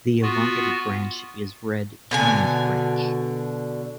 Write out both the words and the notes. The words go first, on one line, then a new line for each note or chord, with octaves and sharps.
The elongated branch is Red giant branch.
B3 F4 F#4
B2 D3 G#5